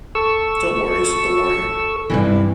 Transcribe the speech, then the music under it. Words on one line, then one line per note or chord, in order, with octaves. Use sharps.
"Don't worry" said the warrior.
A4 C#6 E6
G2 C3 E3